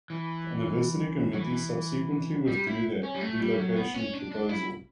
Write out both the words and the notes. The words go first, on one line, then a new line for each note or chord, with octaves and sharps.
The anniversary committee subsequently withdrew their relocation proposal.
E3
F#3
E3
G3
E4
C#4
G3
A3
G3
F#3
B3
C#4
D4
D4
E4